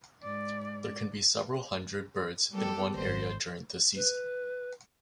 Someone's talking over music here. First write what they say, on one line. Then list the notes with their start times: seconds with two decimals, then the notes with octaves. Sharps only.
There can be several hundred birds in one area during this season.
0.22 G#2 D5
2.52 G3 B3 G4 A4
2.94 G#1 C5
3.96 B4